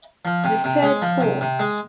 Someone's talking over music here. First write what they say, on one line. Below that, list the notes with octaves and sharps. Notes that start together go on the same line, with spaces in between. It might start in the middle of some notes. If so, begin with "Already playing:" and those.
The third tour.
F3
C3
C3
G#3
F3
C3
C3
G#3